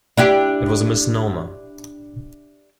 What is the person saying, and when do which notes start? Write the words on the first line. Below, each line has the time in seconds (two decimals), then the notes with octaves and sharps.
It was a misnomer.
0.17 D4 E4 G4